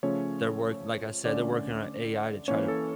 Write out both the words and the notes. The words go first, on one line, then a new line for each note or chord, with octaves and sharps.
their work like I said, they're working on AI to try to
C#3 F3 A3 C#4 C#5
D3 A3 C#4 D5
E3 A#3 C#4 C#5
A4